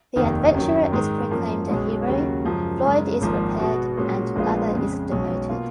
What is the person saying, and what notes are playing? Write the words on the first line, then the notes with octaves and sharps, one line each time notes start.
The adventurer is proclaimed a hero, Floyd is repaired, and Blather is demoted.
F1 D#2 D#3 A#3 D#4
F#2 D#3 F#3
G#2 D#3 G#3
F#2 F3 A#3
B1 B2 G#3 C#4
D#2 C#3 F#3 C#4 F#4
F#2 C#3 F3 G#3
F#2 C#3 G#3
G#1 G#2 F3 A#3
B2 G#3 B3 F#4
A#2 G#3 C#4 F#4
A#1 A#2 G#3 B3 F4
F2 C#3 G#3
B1 B2 G#3 C#4
B2 A#3 F4